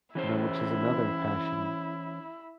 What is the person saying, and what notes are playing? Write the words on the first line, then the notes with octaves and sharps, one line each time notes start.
you know, which is another passion
E3 C#4 E4 C5